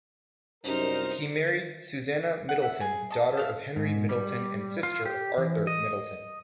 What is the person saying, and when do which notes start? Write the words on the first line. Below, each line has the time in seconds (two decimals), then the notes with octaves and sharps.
He married Susannah Middleton, daughter of Henry Middleton and sister of Arthur Middleton.
0.64 C2 F#2 D#4 A#4 C5
2.49 F#5
2.62 E5 F#5
2.81 G#4
3.10 D#5 A5
3.37 E5 F5 A5
3.76 G#2
4.09 G3
4.83 F4
5.06 G4
5.38 E3
5.67 D#5